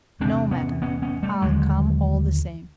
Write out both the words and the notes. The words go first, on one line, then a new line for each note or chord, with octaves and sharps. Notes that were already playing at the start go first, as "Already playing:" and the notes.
"No matter, I'll come all the same."
E2 C3 C4 D4
B3 C#4
B3 C#4
B3 C#4
G3 A3
D#2 D3 F#3 G#3